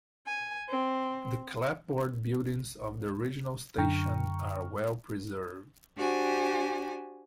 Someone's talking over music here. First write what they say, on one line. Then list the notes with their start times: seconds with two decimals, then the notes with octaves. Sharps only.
The clapboard buildings of the original station are well preserved.
0.25 G#5
0.68 C4
3.78 F#2 D3 G5 A#5 C#6 F6
5.97 D4 F#4 G4 C5 G#5